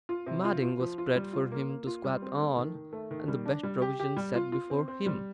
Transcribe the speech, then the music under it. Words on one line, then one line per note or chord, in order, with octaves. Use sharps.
Matting was spread for him to squat on, and the best provisions set before him.
F4
C3
F4
F4
F3
F4
G3
F4
A#3
A#3
F4
G3
C4
A3
D#3
D#3
A3
D#3
G3
D4
G3
G4
G4
G3
F4
F4
C4
C4
G3